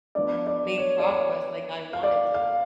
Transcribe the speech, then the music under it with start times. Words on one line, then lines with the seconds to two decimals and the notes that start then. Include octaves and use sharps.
made progress like I wanted to."
0.15 F3 B3 D4 D5
0.47 D5
0.78 C#5
0.99 D5
1.09 C#5
1.93 F5
2.03 D5
2.34 F5